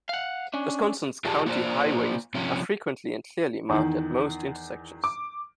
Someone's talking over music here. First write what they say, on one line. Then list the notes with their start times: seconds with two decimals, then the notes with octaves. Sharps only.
Wisconsin's county highways are frequently and clearly marked at most intersections.
0.09 F5 F#5
0.54 C#4 D4
1.25 F4 G4 G#4 D5 A5
1.46 A#3 F4 C5 D5
2.35 C3 F3 C#4
3.69 E2 D#3
5.04 D6